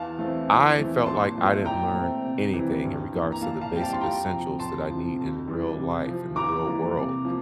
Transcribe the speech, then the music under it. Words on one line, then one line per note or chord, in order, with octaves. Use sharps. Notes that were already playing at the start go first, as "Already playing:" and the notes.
I felt like I didn't learn anything in regards to the basic essentials that I need in real life, in the real world,
Already playing: E2 F5 A5
E3 A3 C4
E2
E3 A3 C4
A#2 A5 C6
F3 A3 C4
A#2 G5 A#5
A3 C4
C3
E3 G3 C4
G2
E3 A#3
A#5
A#2 F5 A5
F5 A5
G3 C4 G5
F5 A5
C6
F2 G5 A#5
C3 F3
F2 A5 C6
C3 F3
F2
E3 G3
C3
F3 C4
E2 A#5 D6
E3 G3 A#3
C3
F3 A#3